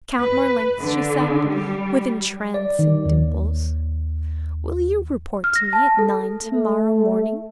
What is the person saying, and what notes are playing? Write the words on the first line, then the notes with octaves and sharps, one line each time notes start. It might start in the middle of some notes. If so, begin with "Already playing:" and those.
"Count Marlanx," she said, with entrancing dimples, "will you report to me at nine to-morrow morning?"
B4
D3
G3
D5
D#3
D#2
F6
A#6
A5
A4
A3